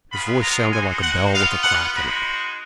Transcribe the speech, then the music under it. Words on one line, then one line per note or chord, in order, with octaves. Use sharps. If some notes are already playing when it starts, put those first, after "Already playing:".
His voice sounded like a bell with a crack in it.
G#3 B3 F4 B5
A#5
G#3 D#4 F#4 G#5
F#5
B3 F4 F5
F#5
G#3 D#4 F#4 B5